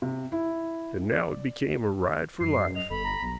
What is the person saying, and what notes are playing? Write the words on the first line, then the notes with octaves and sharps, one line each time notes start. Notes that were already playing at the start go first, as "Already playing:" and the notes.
And now it became a ride for life.
C3
E4
D5
F#2 C7
D#5 F7
G1 A4 B5
A#5
B1